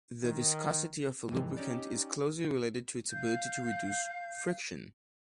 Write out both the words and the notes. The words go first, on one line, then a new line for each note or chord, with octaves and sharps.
The viscosity of a lubricant is closely related to its ability to reduce friction.
D#3
F2 G#2 C3 D#3 E3
C#4 D#4 G4 D5
F5 G6